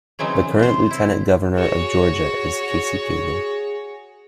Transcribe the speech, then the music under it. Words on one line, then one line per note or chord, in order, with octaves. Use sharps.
The current Lieutenant Governor of Georgia is Casey Cagle.
C#3 E3 F#3 C4 D#4
C3 C5
E4
F#4 G#4 C#5